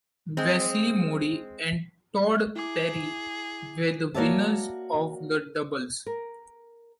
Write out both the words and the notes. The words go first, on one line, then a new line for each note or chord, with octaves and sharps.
Wesley Moodie and Todd Perry were the winners of the doubles.
G#3 C4
E4 G#4 D6
A#3 F#4 C#5 D5 E5 A5
A#4